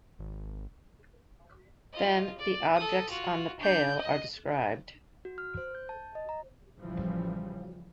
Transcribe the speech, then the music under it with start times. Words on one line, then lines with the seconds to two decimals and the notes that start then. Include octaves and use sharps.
Then the objects on the pale are described.
0.19 G#1
1.92 F4 D#5
2.38 D5
2.76 A4 D#6
3.09 F4 F#4
3.60 D4 G6
3.96 D#5
5.25 F#4
5.38 F6
5.57 C5
5.75 G6
5.89 A5
6.15 D#5
6.29 A#5
6.78 A1 C#3 E3 F3 G3